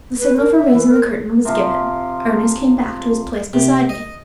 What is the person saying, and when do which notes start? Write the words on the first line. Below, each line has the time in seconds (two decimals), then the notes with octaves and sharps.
The signal for raising the curtain was given. Ernest came back to his place beside me.
0.19 B4
0.37 A#4
0.55 E5
0.73 E3
0.88 A#4
1.45 C3 F3
3.53 C3
3.89 D#5